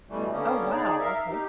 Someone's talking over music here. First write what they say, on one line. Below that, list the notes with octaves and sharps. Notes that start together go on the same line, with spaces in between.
Oh, wow, okay.
B2 E3 G3 A3
D3 A#3 B3 C#4
D#4 G#4 D5
A#4 E5 F5
D#4 G4